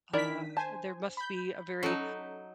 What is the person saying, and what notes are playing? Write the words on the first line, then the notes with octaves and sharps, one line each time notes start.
uh, there must be a very,
D#3 D4 E4 A#4 D5 B6
C5 G#5 A5
B5 G6
F#3 C#4 D#4 A4